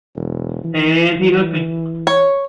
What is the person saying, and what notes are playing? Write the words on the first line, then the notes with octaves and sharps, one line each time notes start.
And he hooked me.
E1
E3
C#5